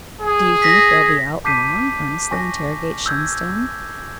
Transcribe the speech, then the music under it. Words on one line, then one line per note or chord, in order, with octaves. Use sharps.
"Do you think they'll be out long?" earnestly interrogates Shenstone.
G#4
A#6 B6
A5 D6 G6 B6 C7 D#7
G#5 C#6 A#6
E6 G6 G#6
E6